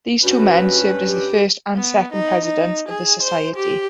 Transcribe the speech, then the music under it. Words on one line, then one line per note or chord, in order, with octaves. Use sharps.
These two men served as the first and second Presidents of the Society.
G2 C#4 F#4 B4
G4
B3
D#4
D#4
G#4
C5
G4